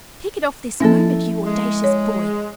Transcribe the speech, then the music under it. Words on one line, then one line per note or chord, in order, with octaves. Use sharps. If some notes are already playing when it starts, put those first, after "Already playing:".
'Take it off this moment, you audacious boy!
F3 A#3 C#4 E4 A4
G#3
C#5